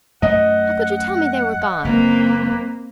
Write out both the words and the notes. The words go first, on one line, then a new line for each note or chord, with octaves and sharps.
How could you tell me they were gone?
F#2 A3 D#5 F#5
F#1 A#3 C4 B4